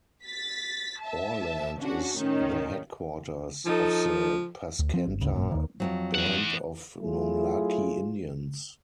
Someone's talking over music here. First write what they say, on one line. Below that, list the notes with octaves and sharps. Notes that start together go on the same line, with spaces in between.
Orland is the headquarters of the Paskenta Band of Nomlaki Indians.
A6 B6
E5 A5
C#4 D4 F#4
A2 D#3 C#4
F3 D#4 A4
D2
F3 C4
G1
G#1 D2 C#3
G#1 F#2 A#2
D#2 D#3
F2 G#2 F#3
E3 F#5
F#3 A3 E4 F4 G#4